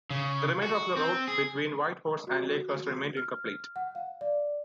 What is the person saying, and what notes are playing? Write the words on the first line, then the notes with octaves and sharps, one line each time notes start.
The remainder of the route between White Horse and Lakehurst remained incomplete.
C#3
F#4
C4
G#4
F#4
F6
F#5
F5
D5